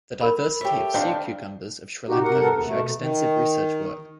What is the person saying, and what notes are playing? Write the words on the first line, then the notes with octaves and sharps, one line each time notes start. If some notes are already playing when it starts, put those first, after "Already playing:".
The diversity of sea cucumbers of Sri Lanka show extensive research work.
A#4 B5
G4 A4 C#5 E5 G5
D#3 D4 A4 C5 F5 G5
A#2 D#4 F#4 G4
C3 A#4 F#5
G2 B3 A4 A#4 F#5
E2
B2 A3
D#3